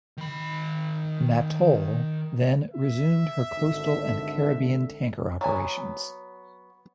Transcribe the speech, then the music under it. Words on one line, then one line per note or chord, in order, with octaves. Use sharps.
"Mattole" then resumed her coastal and Caribbean tanker operations.
D#3 B5
E5
G#1 D3
F#3 B3 G#5